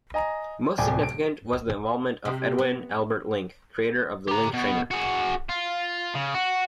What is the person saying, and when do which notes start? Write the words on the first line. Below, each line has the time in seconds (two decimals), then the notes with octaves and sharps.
Most significant was the involvement of Edwin Albert Link, creator of the Link Trainer.
0.14 D#5 G#5 A#5
0.78 D1 C2 D5 G5 G#5 D6
1.03 D7
2.25 C3
2.58 B3
4.28 G4 A#5
4.53 B2
4.91 F#4 G#4
5.49 F4
6.15 C#3
6.34 F#4